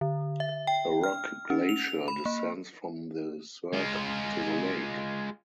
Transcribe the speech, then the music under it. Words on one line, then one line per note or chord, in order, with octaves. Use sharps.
A rock glacier descends from the cirque to the lake.
D3
E5
G5
F6
C#4
F7
B5
A#3
G#3 F4